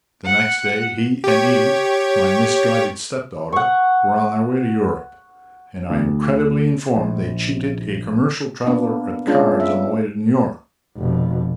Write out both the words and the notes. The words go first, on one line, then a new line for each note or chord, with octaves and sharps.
The next day he and Eve, my misguided stepdaughter, were on their way to Europe; and I am credibly informed they cheated a commercial traveler at cards on the way to New York.
F#5
G4 C#5
F#5 C#6
D2
A#1
A#3 B3 D4
G#3 C#4 D4 F4
E5
F1 B2